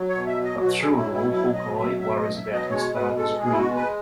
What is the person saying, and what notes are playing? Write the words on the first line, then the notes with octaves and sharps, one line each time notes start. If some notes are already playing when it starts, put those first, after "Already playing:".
But through it all Hawkeye worries about his father's grieving.
Already playing: F#3
C#5
B2
E5
F#3
D#5
B2 F#4
G#4
F#3
E4
B2
E4
F#3 E4
B2 D#5
F#3 E5
B2 E5
D#5
F#3
E5
B2
D#5
G#3 C#5
B2 B4
G#3 A4
B2 G#4
E4
F#4
G#3
B4